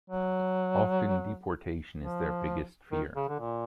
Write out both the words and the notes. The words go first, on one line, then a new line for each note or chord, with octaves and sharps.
Often deportation is their biggest fear.
F#3
F3
D#3
C#3
D3
A#2